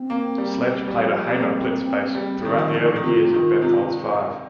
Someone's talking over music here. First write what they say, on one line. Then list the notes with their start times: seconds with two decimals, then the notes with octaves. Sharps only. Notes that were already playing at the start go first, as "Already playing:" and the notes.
Sledge played a Hamer Blitz Bass throughout the early years of Ben Folds Five.
Already playing: C4
0.10 A#3
0.38 G3
0.68 G3
0.88 G3
0.98 F3
1.27 G3 C4
1.35 A#3
1.43 G3
2.15 G3
2.45 D#3
2.51 F3
2.59 D#3
2.74 D#3
2.96 D#3
3.04 C3 F4
3.33 D#3
3.62 C3